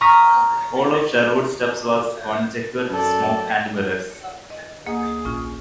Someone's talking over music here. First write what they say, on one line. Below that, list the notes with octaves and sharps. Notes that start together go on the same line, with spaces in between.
All of Sherwood's stuff was conjecture, smoke and mirrors.
A#5 C#6 D#6 F6 B6
F#2 A4 D5
D#5
D2 A#3 G#4 D#5
A#1 C#4 F4